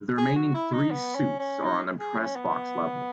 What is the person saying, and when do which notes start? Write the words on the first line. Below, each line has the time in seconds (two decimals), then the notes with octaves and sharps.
The remaining three suites are on the Press Box level.
0.18 G#4
0.36 F#4
0.54 E4
0.72 D#4
0.91 B3
1.15 C#4
1.39 C#4
1.64 D#4
2.00 G#4
2.18 C#4
2.36 B3